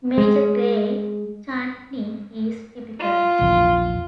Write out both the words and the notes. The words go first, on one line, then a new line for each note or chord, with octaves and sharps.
Major Grey's Chutney is typical.
G#3
F4
A#1 E2